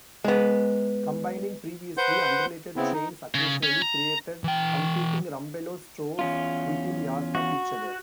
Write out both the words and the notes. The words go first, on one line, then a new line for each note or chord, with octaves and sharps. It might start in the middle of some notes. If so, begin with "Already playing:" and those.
Combining previously unrelated chains occasionally created competing Rumbelows stores within yards of each other.
G#3 B3
B4 C5 F#5 C6 G6
C#3 B3 C4 E4
D#4
C#3
C#4
A#5
E3 G5
E2 C#4 F4
F#4